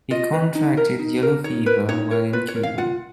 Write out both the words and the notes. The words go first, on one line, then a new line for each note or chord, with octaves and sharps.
He contracted yellow fever while in Cuba.
F4 D#5
B4
D#4
A#4
D#4
A#4
D#4 C#5
A#4 B4
D#4 C#5
A#4 C#5
F4 B4
C#5
A#4
F5
F4 F#5